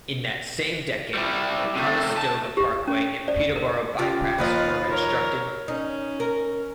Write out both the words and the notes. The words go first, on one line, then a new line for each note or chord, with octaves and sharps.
In that same decade, the Conestoga Parkway and Peterborough Bypass were constructed.
G3 E4
C3 A3
A5
G4
C#4
D5
A#4
C#3 F4 G4
D#2 F3 D#4 F4 B4
A#4 C#5
C#4 D#4
A#4